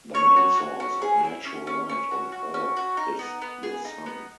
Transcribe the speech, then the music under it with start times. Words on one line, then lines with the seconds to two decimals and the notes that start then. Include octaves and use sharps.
The main source of natural light on Earth is the Sun.
0.14 C#4 C#5
0.36 F#4
0.58 F#4
0.80 C#4
1.02 G#4
1.24 E4
1.45 C#4
1.67 C#4
1.89 C#4
2.11 F#4
2.32 F#4
2.54 C#4
2.77 F#4
2.97 D#4
3.19 B3
3.42 B3
3.63 G#4
3.85 D#4
4.06 B3